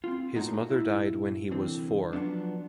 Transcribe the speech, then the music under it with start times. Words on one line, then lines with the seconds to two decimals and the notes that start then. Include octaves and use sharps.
His mother died when he was four.
0.04 C4 F4
0.35 A2 A3 A#3 D#4 F#4
0.69 A#2 E4 B5
1.51 C2 D3 E3 C4
2.13 F3 F#3 B3 C#4 D4